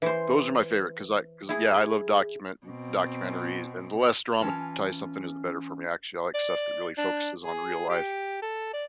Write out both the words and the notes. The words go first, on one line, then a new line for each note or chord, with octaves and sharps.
Those are my favorite 'cause I 'cause yeah, I love document documentaries, and the less dramatized something is, the better for me, actually, I like stuff that really focuses on real life.
E3 C5
E4 G#4
B2 C4
E3 C#4 F4 A5
D5
D4
G#4
G4
A4
D5